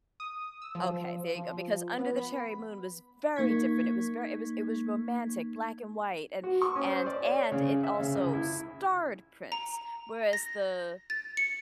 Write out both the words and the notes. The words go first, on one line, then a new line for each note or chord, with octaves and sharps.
Okay, there you go. Because Under the Cherry Moon was very different. It was very it was it was romantic, black and white and and and it also starred Prince. Whereas the
D#6
E6
F3
F3
B3
B5
A#3 D#4 C#6 G#6 B6
F#4
C#6
C#4
C5
D5
C#5
C#3
E5
C#3
C#2
E4
A#5
A#6
A6
C#7